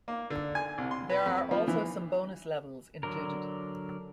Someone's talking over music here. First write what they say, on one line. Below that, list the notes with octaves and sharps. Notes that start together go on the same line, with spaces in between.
There are also some bonus levels included.
A#3
D3
G#5
C2
C6
B4
F2
F3
E3
D3 F#3 D4 A#4